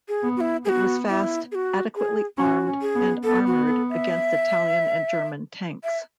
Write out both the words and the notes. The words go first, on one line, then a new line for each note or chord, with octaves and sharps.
It was fast, adequately armed and armoured against Italian and German tanks.
G#4
B3
F#4
E4
B3 F#4 G#4
E4
G#4
F#4
G#4
C#4 F#4
C#4
G#4
B3
B3 A4
F#4
A4
E5
E5